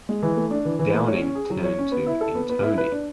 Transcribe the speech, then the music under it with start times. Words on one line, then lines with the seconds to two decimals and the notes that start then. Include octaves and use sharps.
Downing turned to Antoni.
0.09 G#3
0.22 E3
0.37 A3
0.51 D4
0.65 E3
0.79 E3
0.94 A3
1.08 C#5
1.21 C#4
1.35 G#4
1.50 F#3
1.64 C#5
1.79 C#4
1.92 B3
2.07 E4
2.21 A4
2.35 B3
2.49 B3
2.63 E4
2.78 B4
2.92 D4